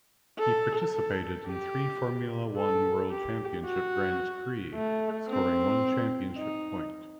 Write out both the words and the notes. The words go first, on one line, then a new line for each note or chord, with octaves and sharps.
He participated in three Formula One World Championship Grands Prix, scoring one championship point.
A4
A4
G4
A4
G4
F#4
A3
C4
D#4